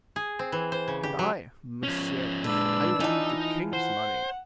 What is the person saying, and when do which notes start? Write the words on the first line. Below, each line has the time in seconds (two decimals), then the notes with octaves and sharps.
"And I, monsieur, I want the king's money."
0.16 G#4
0.39 C4
0.52 E3
0.72 C5
0.88 C#3
1.03 G4
1.19 F#3
1.83 F3 C#4
2.44 A#2 G#3 D4 B4 E6
3.00 E3 F3 D#4 D#5
3.73 C5 F#5